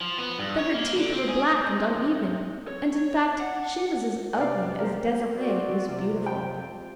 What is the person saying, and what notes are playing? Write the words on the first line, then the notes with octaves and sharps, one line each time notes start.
Then her teeth were black and uneven, and, in fact, she was as ugly as Desiree was beautiful.
F3
B3
G2
C#5
A#3
D3
C4
G#4
C3
C#5
F#5
C3 B4 D5 F5
G4 A#4 C5
C4 F#4 D5
C3 F4
F4 G5